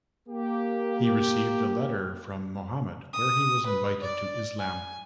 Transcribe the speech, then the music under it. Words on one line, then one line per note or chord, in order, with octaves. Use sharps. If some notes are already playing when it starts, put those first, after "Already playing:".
He received a letter from Muhammad where he was invited to Islam.
A#3 G4
D#6
B4
D5
G#5